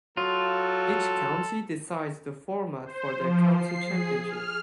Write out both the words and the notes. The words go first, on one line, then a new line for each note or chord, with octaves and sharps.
Each county decides the format for their county championship.
F#3 F4 A4
C5
F3
C7
G#4
F6